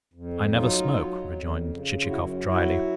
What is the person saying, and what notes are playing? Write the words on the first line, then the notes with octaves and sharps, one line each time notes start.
"I never smoke," rejoined Chichikov drily.
F2
F#3 D#4 F4
F#3
F2
C#3
F4
F#2 E4 F#4
F#3 E4 F#4